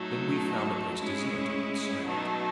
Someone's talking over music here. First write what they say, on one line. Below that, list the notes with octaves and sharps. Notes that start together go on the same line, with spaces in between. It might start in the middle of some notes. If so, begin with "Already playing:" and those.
Then we found a place deserted and silent.
Already playing: A2 F#3 A3 D#4
A2 G#3 C#4 E4
B2 F#3 A3 D#4